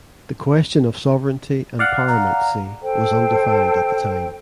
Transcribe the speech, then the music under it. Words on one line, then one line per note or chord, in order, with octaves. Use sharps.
The question of sovereignty and paramountcy was undefined at the time.
D5 F5 F#5
A#5
A4 C5 G5